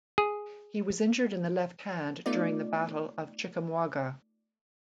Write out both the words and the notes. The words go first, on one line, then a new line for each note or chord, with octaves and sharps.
He was injured in the left hand during the Battle of Chickamauga.
G#4
A3 B3 D#4 F4 D5